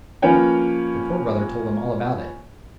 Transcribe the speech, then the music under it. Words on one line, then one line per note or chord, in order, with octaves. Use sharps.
The Poor Brother told him all about it.
F3 A#3 C#4 B4 C#5 G5